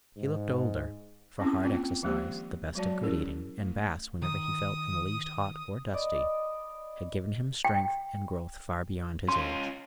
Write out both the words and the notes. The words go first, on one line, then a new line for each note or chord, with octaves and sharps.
He looked older, for hard exercise, the best of good eating, and baths whenever he felt in the least hot or dusty, had given him strength and growth far beyond his age.
G#2
C4 C#4 E4 G#4
A#3 C4 F4 G5
D#3 F3 G#3 A#3 G4 C5
F#3 G#3 F#4 C#5 D5 A5
C#4 E4 G#4 A#4
A3
D#3 D#6
D5 D#5 B5
G5
C#4 F4 C6